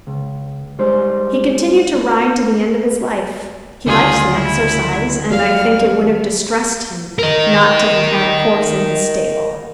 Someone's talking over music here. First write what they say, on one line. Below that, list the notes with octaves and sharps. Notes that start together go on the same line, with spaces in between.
He continued to ride to the end of his life: he liked the exercise, and I think it would have distressed him not to have had a horse in his stable.
C#2
G3 G#3 D#4 C5
D2 C#3 G3 F4 G#4
E4
D#2 F#3 G3 F5
A#4 D#5